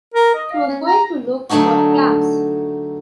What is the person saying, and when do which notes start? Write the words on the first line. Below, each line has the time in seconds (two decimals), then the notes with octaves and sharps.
She was going to look for clams.
0.14 A#4
0.35 D#5
0.51 F5
0.67 C#4
0.86 A#5
1.49 D3 F#3 A3 D4 D#4 F#4